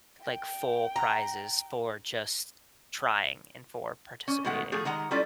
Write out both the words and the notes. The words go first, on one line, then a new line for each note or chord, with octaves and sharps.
like, full prizes for just trying and for participating.
G5
A#5
C#4
B2 D#3 G#3 A3 F#5
F3 A3 G#4
D#3 G#3 F#5 A#5
G3 C#4 E4 F4 A4 D5